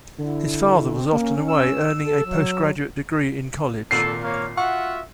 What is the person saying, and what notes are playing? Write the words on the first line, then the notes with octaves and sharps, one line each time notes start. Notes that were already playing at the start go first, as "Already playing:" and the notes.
His father was often away earning a postgraduate degree in college.
D3 E4
C4
A#3 C#4
E6
A4
F#3
G#1 A#2 A#3 A4 C7
A#3 C#5 F5
F4 F#4 E5 F#5 C#6